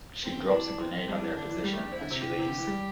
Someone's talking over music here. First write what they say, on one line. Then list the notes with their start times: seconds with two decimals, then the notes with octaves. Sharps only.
She drops a grenade on their position as she leaves.
0.23 C4
0.36 D3
0.51 E3 D4
0.79 C4
1.08 G3 D4
1.21 E3
1.35 D3 D4
1.49 E3
1.64 G3 G4
1.73 A3
1.83 D4
1.92 C4 E4
2.01 D3
2.11 C3
2.20 G4
2.30 D3
2.39 C3
2.48 D3
2.58 E3
2.67 G3